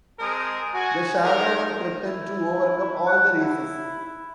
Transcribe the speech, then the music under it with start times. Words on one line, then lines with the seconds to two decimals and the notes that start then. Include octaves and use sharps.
The Shadowen threaten to overcome all the Races.
0.19 G#3 C4 A#4 G#5 A5 D#6
0.73 F#4 G#5
1.22 D#4 G4 G#4 A#4
2.05 E4
3.07 F#5
3.36 E4